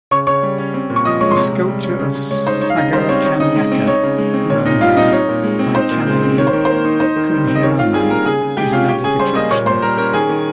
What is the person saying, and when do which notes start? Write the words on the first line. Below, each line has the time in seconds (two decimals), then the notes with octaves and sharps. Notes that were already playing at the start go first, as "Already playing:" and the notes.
The sculpture of Sagarakanyaka - Mermaid by Kanayi Kunhiraman is an added attraction.
0.11 C#3 C#5 C#6
0.27 C#3 C#5 C#6
0.43 G3
0.58 C#4
0.74 C4
0.90 A#2
0.96 C#6
1.05 F3 D#5 D#6
1.21 G#3 C#5 C#6
1.31 C6
1.37 C3 C#5 C#6
1.52 C3
1.68 G3
1.83 C#4
1.99 C#3
2.15 C#3
2.30 G#3 C#5
2.46 D#4 C5
2.61 D#4 C#5
2.70 F5
2.77 C#3 D#4 D#5
2.93 G3 C5
3.09 C4 C#5
3.24 D#4 C#5
3.40 C#3 D#4 D#5
3.56 G#3
3.72 C4
3.87 D#4 C#5
4.03 C#3
4.18 G#3
4.34 C4
4.50 A#2 C#5
4.65 A#2 D#4 D#5
4.81 G3 F4 F5
4.97 C4 D#4 D#5
5.12 D#4 C#5
5.29 A#2
5.44 G#3
5.59 C4
5.75 D#4 C5
5.91 A#2
6.07 G#3
6.22 C4
6.38 D#3 C#5
6.47 C5
6.53 D#3
6.65 A#3 C5
6.85 D#4
7.00 D#4 C5
7.16 D#3
7.32 G3
7.48 C4
7.55 D#5
7.63 D#3 C#5
7.79 D#3 F4 F5
7.94 G3 G#4 G#5
8.10 A#3 A#4 A#5
8.25 C#3 G#4 G#5
8.41 C#3
8.57 G#3 G4 G5
8.72 C#4 F4 F5
8.88 C#4 G4 G5
9.04 C#3 G#4 G#5
9.20 G3 C5 C6
9.35 A#3 D#5 D#6
9.51 A#2 C#5 C#6
9.66 A#2 C5 C6
9.82 G3 A#4 A#5
9.97 C#4 A#4 A#5
10.13 D#3 G#4 G#5
10.29 D#3